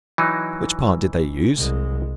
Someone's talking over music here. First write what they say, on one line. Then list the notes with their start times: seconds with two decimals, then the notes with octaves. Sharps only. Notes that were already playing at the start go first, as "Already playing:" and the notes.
Which part did they use?
0.18 E3 F#3 D#4
1.57 C2 G#3